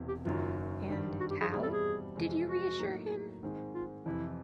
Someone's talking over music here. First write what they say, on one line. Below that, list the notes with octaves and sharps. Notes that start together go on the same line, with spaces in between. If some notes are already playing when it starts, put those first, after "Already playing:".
And how did you reassure him?
Already playing: E1 E2 C3
G4
F#1 F#2 D#3 F#3 F4
G#1 G2 D#3 G3
F#4
G4
G#4
E2 B2 G3 C4 E4 G#4
A4
G#4
F2 C3 E3 G#3 C4
F#4
A2 F#3 A#3 D#4
G#2 D#3 G#3 C4
F4
F2 C3 E3 E4